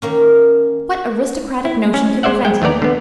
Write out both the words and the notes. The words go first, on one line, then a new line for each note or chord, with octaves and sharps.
What aristocratic notion could prevent him?
D#3 A#3 C#4
E4
C#4
G#3 C5 D5 E5 F#5
G#3 G5
D#2 A3 B3 D5 A#5
D3 B3